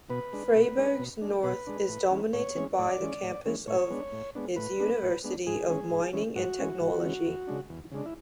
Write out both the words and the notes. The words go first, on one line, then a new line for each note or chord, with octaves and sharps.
Freiberg's north is dominated by the campus of its University of Mining and Technology.
B2 B4
G#3 D4
B2
G#3 D4
B2
G#3 D4
B2 B4
G#3 D4
A2
E3 G#3 C#4
A2 C#5
E3 G#3 C#4
A2 D5
E3 G#3 C#4
A2
E3 G#3 C#4
A2 C#5
G#3 B3 D4
A2
G#3 B3 D4
A2 B4
G#3 B3 D4
A2
G#3 B3 D4
G#2 G#4
E3 G#3 C#4
G#2
E3 G#3 C#4
G#2 F#4
E3 G#3 C#4
G#2
E3 G#3 C#4
E2
C#3 G#3 D4
E2
C#3 G#3 D4
E4